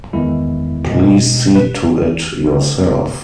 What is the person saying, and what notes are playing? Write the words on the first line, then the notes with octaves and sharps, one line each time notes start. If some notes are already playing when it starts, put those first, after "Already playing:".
Please see to it yourself.
E2 D#3 G#3 E4
B2 G#3
B4